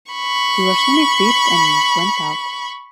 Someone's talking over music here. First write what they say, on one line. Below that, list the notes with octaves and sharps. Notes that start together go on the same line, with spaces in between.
We were soon equipped and went out.
B5 C#6